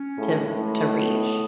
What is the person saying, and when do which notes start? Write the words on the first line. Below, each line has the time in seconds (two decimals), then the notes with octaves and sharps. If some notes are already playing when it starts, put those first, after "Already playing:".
to to reach."
Already playing: C#4
0.17 A2 C#3
0.45 A2 G#3
0.74 B2
1.03 B3
1.32 C#3